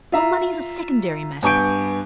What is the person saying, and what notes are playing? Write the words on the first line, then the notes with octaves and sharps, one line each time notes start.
Well, money is a secondary matter.
F4 E5 A#5
G2 B3 G#5 C#6 G6 D7